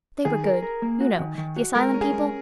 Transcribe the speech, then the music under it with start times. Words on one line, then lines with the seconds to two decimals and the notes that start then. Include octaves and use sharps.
They were good, you know--the asylum people.
0.25 D#3 G#4
0.44 A#4
0.63 A#4
0.82 A#3
1.01 F#4
1.19 D#3
1.38 D#3
1.56 F#4
1.75 G#3 A#4
1.94 C#4
2.01 G#4
2.13 G#3